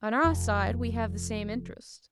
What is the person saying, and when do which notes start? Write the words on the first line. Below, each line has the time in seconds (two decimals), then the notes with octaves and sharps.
On our side we have the same interest.
0.24 F1 F2